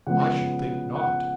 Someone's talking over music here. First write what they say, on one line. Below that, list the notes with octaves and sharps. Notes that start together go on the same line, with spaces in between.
"I should think not."
C#3 F3 G#3 B3 F#5
F#5